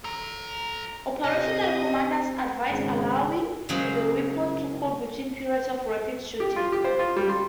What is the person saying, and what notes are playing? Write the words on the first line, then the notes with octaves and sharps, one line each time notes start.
Operational commanders advised allowing the weapon to cool between periods of rapid shooting.
A4 A#5
C3 D#5
G#1 G#2 C#3
C#3 F#3 G#3 A#3 G#4 C5
G4
F4
G4
C5
F4
G3
C6